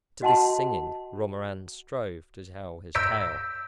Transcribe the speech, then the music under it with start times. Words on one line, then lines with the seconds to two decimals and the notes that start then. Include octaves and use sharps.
To this singing Romarin strove to tell his tale.
0.22 F#4 D#5 F#5 A5 A#5 C6
2.95 E6 G6 A#6 B6 D7